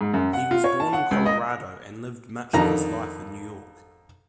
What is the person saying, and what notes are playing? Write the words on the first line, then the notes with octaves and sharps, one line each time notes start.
He was born in Colorado and lived much of his life in New York.
G#2
F#2
F#5
F4
C#5
A5
F#5
C#2
D#5
F2 D3 D#3 A#5